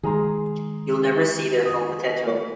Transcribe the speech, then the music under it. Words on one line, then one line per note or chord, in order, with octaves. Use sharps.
You'll never see their full potential.
D#3 G#3 G#4 A#5 C6
D#6